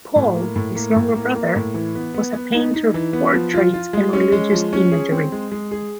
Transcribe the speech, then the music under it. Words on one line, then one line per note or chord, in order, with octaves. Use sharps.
Paul, his younger brother, was a painter of portraits and religious imagery.
A2
A#3
A2
A#3
A2
A#3
A#3
A2
E3
B3
B3
B3
D#4
D#4
E3
B3
F3
F4
F4
G#3
C#4
G#3
F3
C#4
G#4
C4
G#3
G#3
G#4